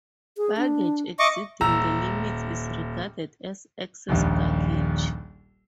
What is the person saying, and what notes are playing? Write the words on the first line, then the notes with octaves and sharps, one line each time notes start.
Baggage exceeding the limits is regarded as "excess baggage".
G#4
D4
D#5 E5 C#6 D6
D#1 A#5 E6
D#1 A#1 D#2